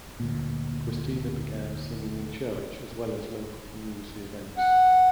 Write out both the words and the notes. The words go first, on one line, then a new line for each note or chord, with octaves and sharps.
Cristina began singing in church as well as local community events.
D2 A#2
F#5